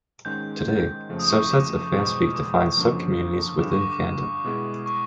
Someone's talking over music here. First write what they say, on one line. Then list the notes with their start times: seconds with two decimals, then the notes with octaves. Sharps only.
Today, subsets of fanspeak define subcommunities within fandom.
0.25 G#2 D#3 G#3 C#4 G6
1.09 F2 C#3 F3 A3
1.19 D#6
1.30 C#6
1.40 C#6
1.51 D6
1.93 E2 B2 G#3 C4
2.35 D6
2.76 F#2 D3 F3 A#3
3.60 G2 D3 G3 D6
3.71 C#6
3.81 D6
3.92 D6
4.44 B2 G#3 B3 E4 G#4
4.86 C#6